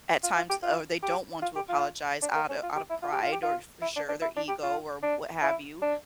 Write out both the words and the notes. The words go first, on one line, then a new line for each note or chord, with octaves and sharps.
at times or they don't want to apologize out of out of pride or, for sure, their ego or what have you.
F4
F4
G4
F4
G4
F4
G4
F4
D4
A#3
C#4
F4
G4
E4
F4
G4
F4
G4
F4
E4
D4
D4
E4
D4
G4
F4
D4
E4
D4